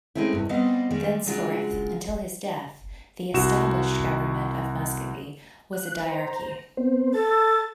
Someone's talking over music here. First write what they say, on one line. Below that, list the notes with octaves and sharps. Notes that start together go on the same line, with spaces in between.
Thenceforth, until his death, the established government of Muscovy was a diarchy.
G#3 A3 C4 C#4 E4
G2 C3
G3 B3 C4 C5 D#5 F5
D#3 G3 G#3
C#3 F#3 G#3 D4 F4
C2 F#4 E7
F#6
C5 A#5
B3 C4 C5
A4 A5 A6